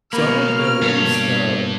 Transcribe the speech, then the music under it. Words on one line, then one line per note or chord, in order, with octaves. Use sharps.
So I want to know what was the
B2 A#3 C#4 B5 F6
G2 C#5